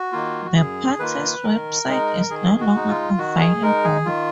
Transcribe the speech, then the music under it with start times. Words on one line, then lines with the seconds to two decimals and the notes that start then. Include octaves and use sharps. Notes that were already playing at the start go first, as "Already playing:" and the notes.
The party's website is no longer available.
Already playing: F#4
0.12 D#3 A#3 F4
0.45 F#4
0.56 F#2 G#4
0.99 D#3 A#3 F4 B4
1.43 D#3 A#4
1.88 G#3 D#4
2.30 D#3 G#4
2.60 F#4
2.74 G#3 D#4
2.89 F4
3.18 D#3 F#4
3.40 G#4
3.62 G#3 D#4 A#4
3.84 G#4
4.05 D#3 F4